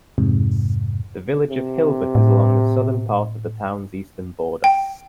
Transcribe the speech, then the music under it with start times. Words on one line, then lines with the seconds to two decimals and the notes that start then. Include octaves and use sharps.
The village of Hilbert is along the southern part of the town's eastern border.
0.18 F2 G#2 C3
1.50 C3
2.15 A2
4.64 G5